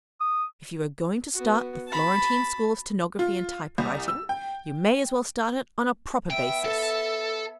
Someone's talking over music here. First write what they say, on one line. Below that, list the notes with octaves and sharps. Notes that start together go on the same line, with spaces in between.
If you are going to start the Florentine School of Stenography and Typewriting, you may as well start it on a proper basis.
D#6
B3 F#4
A5 B5
F4
C2
E6
G5
B3 E5 G5
A4